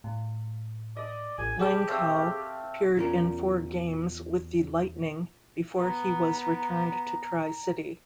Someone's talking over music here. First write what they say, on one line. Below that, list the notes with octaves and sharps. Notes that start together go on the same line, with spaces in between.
Langkow appeared in four games with the Lightning before he was returned to Tri-City.
A2
D5 D#5
A1 G#5
G4 G#4 C5 A5 D6
A3 C4 F5
E2 C#4 F4 A#4
B3 A#5